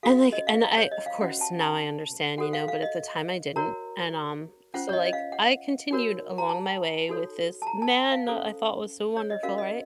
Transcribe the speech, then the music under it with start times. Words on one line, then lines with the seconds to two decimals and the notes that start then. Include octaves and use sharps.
And, like and I, of course, now I understand, you know, but at the time I didn't, and, um, so, like, I continued along my way with this man I thought was so wonderful, right?
0.03 C#4 F#4 A4 F5
0.33 D#5
0.47 F5
0.62 F5
0.77 C#5
0.91 D#5
1.06 F5
1.21 C#4 F#4 C5 F#5
1.41 A5
1.61 A5
2.38 F#4 A4 C5 F#5
2.53 F5
2.68 F5
2.82 D#5
3.56 F#4 A#4 C#5 A#5
4.74 C#4 F4 C5 F#5
4.89 C#5
4.93 D#5
5.05 D#5
5.13 F5
5.32 F#5
5.91 D#4 F#4 A#4 C#5
6.38 A#5
6.49 A5
7.09 D#4 F#4 A4 C#5
7.62 A5
7.67 A#5
7.82 A5
8.12 F5
8.26 C#4 A4 C5
9.17 C#5
9.30 D#5
9.43 C#4 F#4 A#4 F5
9.58 D#5